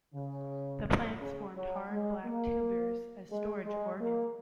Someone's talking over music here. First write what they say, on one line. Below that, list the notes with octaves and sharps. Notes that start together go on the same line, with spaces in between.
The plants form hard black tubers as storage organs.
C#3
C#3
F#3
G#3
A#3
G#3
G#3
A#3